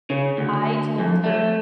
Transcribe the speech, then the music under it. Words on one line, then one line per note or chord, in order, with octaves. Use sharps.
I told her
C#3
D2
F2
A3